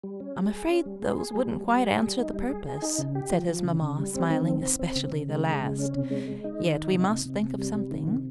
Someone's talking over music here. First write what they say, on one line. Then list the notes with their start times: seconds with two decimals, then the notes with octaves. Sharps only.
"I'm afraid those wouldn't quite answer the purpose," said his mamma, smiling--"especially the last; yet we must think of something."
0.04 G3
0.20 C#4
0.36 G3
0.53 G#4
0.70 C#4
0.86 G3
1.02 G#4
1.18 G#4
1.35 G3
1.52 G3
1.68 G3
1.84 G#4
2.01 G3
2.17 D#4
2.33 G3
2.49 G#4
2.66 G#4
2.82 D#4
2.98 C#3
3.15 G4
3.31 F3
3.48 F3
3.64 C#3
3.81 C#3
3.98 G3
4.15 C4
4.30 D#3
4.47 C4
4.63 C4
4.79 C4
4.95 C#3
5.12 C#3
5.29 G#3
5.45 G#3
5.62 C#3
5.78 C#4
5.94 C3
6.10 G#3
6.27 G#3
6.44 D#4
6.60 D#3
6.77 D#4
6.92 C3
7.10 C3
7.26 C3
7.42 C3
7.58 G3
7.75 C3
7.91 D#3
8.07 C3